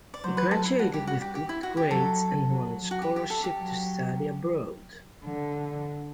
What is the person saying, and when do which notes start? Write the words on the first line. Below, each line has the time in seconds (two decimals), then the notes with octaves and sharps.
He graduated with good grades and won a scholarship to study abroad.
0.14 D5
0.24 F#3 C5
0.37 B4
0.51 A4
0.66 E4
0.79 G3 F#4
0.93 G4
1.07 F#4
1.21 G4
1.35 G4
1.49 E4
1.63 F#4
1.77 G4
1.91 F#3 A4
2.46 F#3
2.91 F#4
3.02 G4
3.16 G4
3.30 A4
3.44 G4
3.58 F#3
5.24 D3